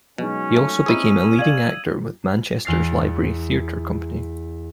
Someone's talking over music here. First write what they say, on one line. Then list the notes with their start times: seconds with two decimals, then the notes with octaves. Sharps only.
He also became a leading actor with Manchester's Library Theatre Company.
0.18 B2 F#3 G#3 C#4 D#4
0.57 A3
0.86 C4 D#4 E4 G#4 D#6 E6 D#7
1.39 D5 F5 G#6 F#7
2.65 E2 F6 A6 C7